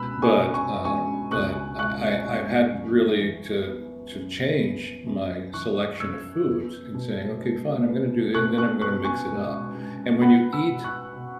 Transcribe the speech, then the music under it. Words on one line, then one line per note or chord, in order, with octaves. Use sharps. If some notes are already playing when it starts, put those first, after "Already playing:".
But, um but I I I've had really to to change my selection of foods and saying, "Okay, fine. I'm gonna do it, and then I'm gonna mix it up." And when you eat
Already playing: C#2 B2 G#3 B5 E6 F#6
G#5 C#6
B2
G#5 C#6
G#3 G#5 C#6
C#2 C#6 F#6
G#3 C#6 F#6
G#3
F#2
E3
B3
F#2
B3
F#2
E3 C#6 F#6
F#2 E6 G#6
B3
B2
G#3
B3
B2 C#6 F#6
C#6 F#6
B3 C#6 F#6
G#5 C#6
G#3
G#3
B3 F#5 B5
B5 E6
B2
C#6 F#6
B2